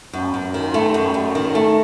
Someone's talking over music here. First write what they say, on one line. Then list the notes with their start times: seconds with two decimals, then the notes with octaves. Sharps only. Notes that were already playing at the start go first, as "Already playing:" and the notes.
All right, how are ya?
0.13 F#2
0.34 F#2
0.54 D#3
0.74 A3
0.94 F#2
1.14 F#2
1.35 D#3
1.55 A3